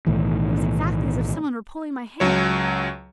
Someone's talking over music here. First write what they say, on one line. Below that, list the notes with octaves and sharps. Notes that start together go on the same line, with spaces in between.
"It was exactly as if someone were pulling my hair."
B1 A2 D#3 E3
C#2 F#3 C#5